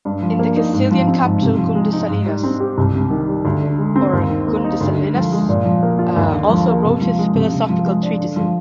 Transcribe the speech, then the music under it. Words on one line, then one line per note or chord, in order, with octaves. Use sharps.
In the Castilian capital, Gundissalinus also wrote his philosophical treatises.
G2
F3
A#3
D#4
G#2
F3
C4
G#2
C3
F3
G#3
D#4
G#2
G3
C4
G4
C2
C3
D#3
G3
D2
D3
G#3
C4
D#2
D#3
A#3
D#4
D2
D3
F3
G#3
A#2
F3
A#3
F4
D#2
D3
F3
A#3
C3
F3
G#3
C3
C3
F3
G#3
D4
D3
F3